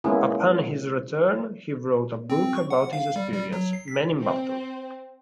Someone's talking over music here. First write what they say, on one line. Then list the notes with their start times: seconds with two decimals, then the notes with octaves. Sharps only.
Upon his return, he wrote a book about his experiences, "Men in Battle".
0.04 G#3 A#3 B3 C#4 E4
2.30 C4
2.55 C#6
2.71 F#5
2.93 F5
3.16 G3
3.33 G3
3.52 F#3
3.73 C7
3.88 B6
4.22 C4